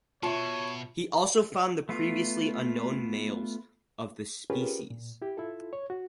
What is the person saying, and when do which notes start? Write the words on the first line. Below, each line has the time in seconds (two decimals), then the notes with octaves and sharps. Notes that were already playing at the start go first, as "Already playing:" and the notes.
He also found the previously unknown males of the species.
0.23 B2 F4 C#5 E5 A5
1.89 A3 B3 F4
4.50 C#4 F4 G4 G#4 A#4 B4
4.90 A#2
5.22 E4 G4
5.37 E4 F4 A4
5.73 C#5
5.90 F#4